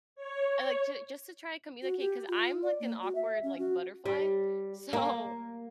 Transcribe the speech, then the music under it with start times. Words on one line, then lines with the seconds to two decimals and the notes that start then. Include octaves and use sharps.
and like, ju just to try and communicate, 'cause I'm, like, an awkward, like, butterfly, so,
0.16 C#5
0.50 C#5
1.82 F#4
2.00 G4
2.28 F4
2.63 D5
2.80 A#3
3.02 F#4
3.15 E5
3.43 C#4
3.59 F#4
4.06 G3
4.93 A#3